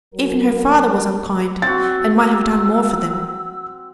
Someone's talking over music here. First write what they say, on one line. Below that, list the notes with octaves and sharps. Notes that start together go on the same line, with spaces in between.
Even her father was unkind, and might have done more for them.
F#3 A#4
C4 F#4 E6 A6